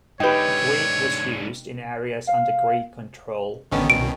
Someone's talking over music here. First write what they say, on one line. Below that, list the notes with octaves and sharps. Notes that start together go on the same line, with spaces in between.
Greek was used in areas under Greek control.
G#2 D3 D#4 G4 B4 C#5 G5
F5
A1 D3 D#3 B3 C#4 A5
C2 B2 D7